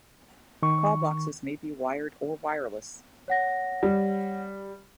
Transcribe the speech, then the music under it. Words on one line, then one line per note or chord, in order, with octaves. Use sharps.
Call boxes may be wired or wireless.
D#3 C#6
C#5 F#5 A#6
G3